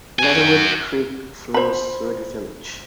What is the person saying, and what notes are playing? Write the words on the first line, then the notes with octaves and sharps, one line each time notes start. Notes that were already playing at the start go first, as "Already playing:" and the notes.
Leatherwood Creek flows through the village.
F#4 G#5
C5 B5